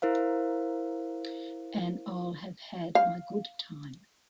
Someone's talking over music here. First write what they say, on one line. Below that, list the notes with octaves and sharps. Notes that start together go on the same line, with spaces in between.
And I'll have had my good time.
E4 A#4 C5 F5
F5